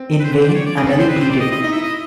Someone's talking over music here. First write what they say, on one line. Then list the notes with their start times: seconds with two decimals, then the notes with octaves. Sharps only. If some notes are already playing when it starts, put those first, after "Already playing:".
In vain Amelie pleaded.
Already playing: C4
0.20 B4
0.24 C5
0.32 B4
0.40 C5
0.48 D5
0.55 C#5
0.66 D5
0.76 D4 D#5
0.83 C#4
0.87 C4 A4
0.98 C5
1.08 B4
1.20 C5
1.30 D5
1.40 D#5
1.51 E4 D#5
1.62 D#4 D#5
1.72 E5
1.76 E4
1.82 D#5